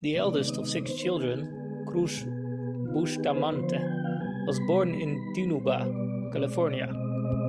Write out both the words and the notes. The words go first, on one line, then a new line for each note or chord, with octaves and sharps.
The eldest of six children, Cruz Bustamante was born in Dinuba, California.
C3 D#3 G#3 B3 D5
D#5
D5
D#3 B3 C5
G#4
D3 G#3 B3
B2 B3
D#3 B3 F4
G4
G#4
C5
B4
D3 F3 B3 C5
G#5
G5
F5
G5
C3 G3 B3 G#5
B5
D#3 G3 B3
B2 G3 B3 C5
D5
B2 G#3 C4
B2 G#3 C4 D#5
D#5